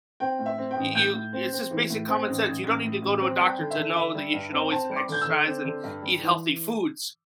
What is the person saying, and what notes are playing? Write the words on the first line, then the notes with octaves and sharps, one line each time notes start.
you you it's just basic common sense, you don't need to go to a doctor to know that you should always exercise and eat healthy foods.
C4 G5
A2
E5
C4
G5
A1
A2 G6
A2
C4
C4
E3
A2
C4
A1
A1
A1
A2
A1
C4
G3 A5
G5
D3
E5
D3
D3 E5
G3
G2
C4
C4 A5
G3
D6
D3 G6
E6
D3
C4
D3
G2
G3
E3